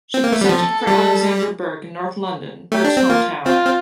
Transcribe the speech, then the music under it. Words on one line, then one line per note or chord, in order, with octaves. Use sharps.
She presented for Alexandra Burke in North London, Burke's home town.
C4
A#3
A3
G3
F3 A4
G3
A3 G4
D4
C4
A#3 F4
C4 F4
C4